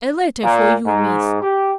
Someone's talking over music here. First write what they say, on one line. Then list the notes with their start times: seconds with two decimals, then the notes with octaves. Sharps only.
A letter for you, Miss.
0.43 A#2
0.87 G#2
1.42 G4